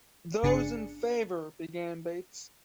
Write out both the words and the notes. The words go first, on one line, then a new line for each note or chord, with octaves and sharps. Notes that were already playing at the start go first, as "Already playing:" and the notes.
"Those in favour..." began Bates.
G1 C#3 D4 G#4 C#7